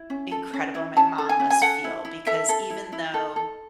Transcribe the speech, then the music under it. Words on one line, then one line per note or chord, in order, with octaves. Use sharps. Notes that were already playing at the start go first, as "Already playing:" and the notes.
incredible my mom must feel because even though
Already playing: E4
C#4
A4
C#4
E4
C#4 A5
A4
G#5
C#4
G#5
A4 F#5
E4
E4
A4 E5
A4
E4
E4
A4
A4